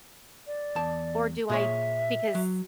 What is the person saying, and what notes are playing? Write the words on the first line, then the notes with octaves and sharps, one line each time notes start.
or do I because
D5
E2 A5
A#2 G#4 C#5 E5
F#3